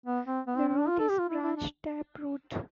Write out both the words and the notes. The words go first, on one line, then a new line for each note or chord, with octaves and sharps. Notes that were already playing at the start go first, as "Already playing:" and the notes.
The root is a branched tap root.
B3
C4
B3
C4
C4
D4
F4
A4
G4
F4
E4
E4
D4